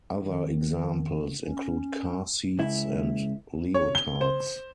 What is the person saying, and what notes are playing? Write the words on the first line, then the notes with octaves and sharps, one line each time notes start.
Other examples include car seats and leotards.
D#3
C#4
C#2 E4
C#5
G7
C5